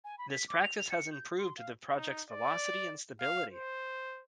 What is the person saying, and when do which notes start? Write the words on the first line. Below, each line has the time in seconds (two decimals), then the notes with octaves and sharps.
This practice has improved the project's velocity and stability.
0.04 G#5
0.18 B5
0.31 B6
0.48 D6
0.63 F7
0.78 F7
0.90 C#7
1.12 G6
1.38 C6
1.57 F5
1.93 D#4
2.30 D5
3.21 F5
3.52 C5